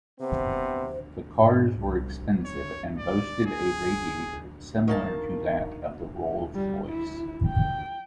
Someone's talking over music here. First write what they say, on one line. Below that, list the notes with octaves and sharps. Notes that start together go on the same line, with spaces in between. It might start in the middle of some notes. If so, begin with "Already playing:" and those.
The cars were expensive and boasted a radiator similar to that of the Rolls-Royce.
C3 B3 C4 C5
G#2
C2
C#5
D5
G#4
D#3 A#3 A5
G3
E4
G5